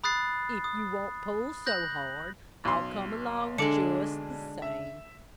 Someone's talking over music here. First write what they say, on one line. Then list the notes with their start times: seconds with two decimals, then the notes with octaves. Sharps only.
If you won't pull so hard I'll come along just the same.
0.04 B5 D#6 F#6 A6 C7
0.64 D#6
1.66 F#6 G6 A#6 F#7
2.65 B1 C6
3.58 D3 G#3 D4 A4 D6 C#7
4.62 E5